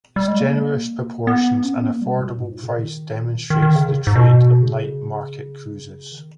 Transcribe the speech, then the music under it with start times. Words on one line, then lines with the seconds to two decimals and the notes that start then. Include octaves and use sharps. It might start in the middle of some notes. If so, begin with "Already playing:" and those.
Its generous proportions and affordable price demonstrates the trait of night market cuisines.
0.16 G3
0.28 G#3
0.40 A#3
1.27 B3
1.64 C#4
1.77 B3
1.89 A#3
2.02 G3
2.21 A#2
2.39 G#2
2.51 A#2
2.63 C#3
2.76 D#3
3.50 D#3
3.62 D#3
3.76 C#3
4.07 G#2
4.15 B2
4.62 C#3
6.12 D#3